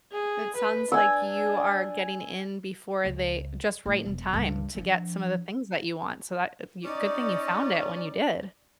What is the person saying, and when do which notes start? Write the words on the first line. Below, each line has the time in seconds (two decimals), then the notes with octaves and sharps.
It sounds like you are getting in before they just right in time to get some of the things that you want, so that, you good thing you found it when you did.
0.12 G#4
0.57 B4
0.92 D4 G#5 E6
3.04 C#2
3.86 A2
4.06 E1
4.33 C#2 G2
4.75 F3 D4
6.84 C#4 D#4 D5